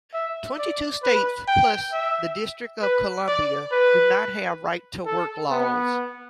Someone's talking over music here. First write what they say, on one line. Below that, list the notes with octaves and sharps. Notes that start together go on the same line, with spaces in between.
Twenty-two states, plus the District of Columbia, do not have right-to-work laws.
E5
D5
B4
G5
E5
B4
D5
B4
A4
B3